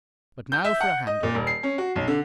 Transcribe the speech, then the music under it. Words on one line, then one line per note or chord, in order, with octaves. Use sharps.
"But now for a handle."
G6
E5
F#5
D#5
A#2
D#1
C7
C#4
F#4
B1
D3